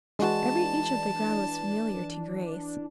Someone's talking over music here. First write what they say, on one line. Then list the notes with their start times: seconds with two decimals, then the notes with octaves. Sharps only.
Every inch of the ground was familiar to Grace.
0.19 E3 G#3 D4 F#4 A5